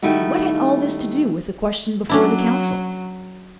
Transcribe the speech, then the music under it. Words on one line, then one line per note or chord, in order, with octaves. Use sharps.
What had all this to do with the question before the council?
D#3 G3 A3 D#4 E4 F#4
F#3 C#4 D4 E4